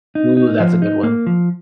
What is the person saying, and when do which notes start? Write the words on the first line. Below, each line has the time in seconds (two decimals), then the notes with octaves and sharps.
Ooh, that's a good one.
0.15 D#4
0.37 D#4
0.60 F3
0.82 D#4
1.03 A#3
1.27 F3